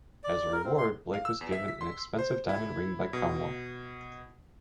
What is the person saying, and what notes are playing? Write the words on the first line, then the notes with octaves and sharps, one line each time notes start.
As a reward Blake was given an expensive diamond ring by Cromwell.
D5
A#4
C4
C6
F5
E6
E2
E5
B6
C6
C5
E4
B2